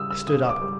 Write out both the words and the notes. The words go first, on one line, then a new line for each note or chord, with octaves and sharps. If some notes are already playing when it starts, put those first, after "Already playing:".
I stood up.
Already playing: C#3 G3 D#6 E6
E6
C#3 D#6
D6
G3